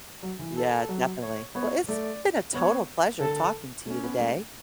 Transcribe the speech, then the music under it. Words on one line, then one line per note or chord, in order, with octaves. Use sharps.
Yeah, definitely. Well, it's been a total pleasure talking to you today,
F#3
E3
A4
F#3
C#5
B3 C#5
A3 D5
B3 C#5
D3 A4
A3 C#4
B3
A3